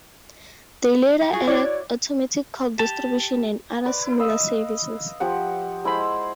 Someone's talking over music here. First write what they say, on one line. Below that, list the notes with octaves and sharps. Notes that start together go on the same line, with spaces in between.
They later added automatic call distribution and other similar services.
G4
F4 F#4 G#4
E4 F#4 C#5 D5
G4 A5
B4 D5
D#5 F5 B5 E6
F3 G4 F#5
G#3 E4 C5 B5